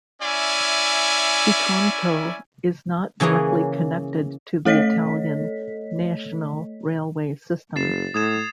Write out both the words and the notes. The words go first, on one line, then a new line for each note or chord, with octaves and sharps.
Bitonto is not directly connected to the Italian national railway system.
C#4 E4 D5 E5 G#5
C#3 E3 A#3 C#4 G#4
A3 A4 C#5 D#5 B6
F#1 A6 C7 E7
A2 D#6 G#6 E7